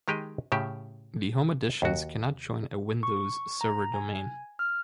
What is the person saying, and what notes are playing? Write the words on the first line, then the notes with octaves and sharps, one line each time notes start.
The home editions cannot join a Windows Server domain.
D#3 G#3 G4 G#4 D#5
A2 C#3 G4 E5
D#2 F#4
C#6
A#5
G#5
F6